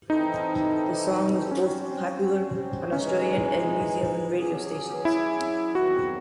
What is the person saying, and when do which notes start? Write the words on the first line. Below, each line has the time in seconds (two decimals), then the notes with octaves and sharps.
The song was both popular on Australian and New Zealand radio stations.
0.09 E3 C4 D#4 E4 A4 C5
1.51 F#3 C4 C#4 F#4 C5
2.92 E3 G#3 C#4 D#4
4.34 F#3 C#4 G#4
5.05 E4
5.75 E2 D#3 F#3 C4 D#4 F#4